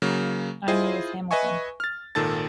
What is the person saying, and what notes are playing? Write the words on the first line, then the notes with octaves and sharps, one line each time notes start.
I'm Lewis Hamilton.
C#3 F#3 A#3
E4 F4 G#4 C5 D#5
B4 D#5 E5 G#5 C#6
F6 A6
G#1 A#2 D#3 A4 A5 A6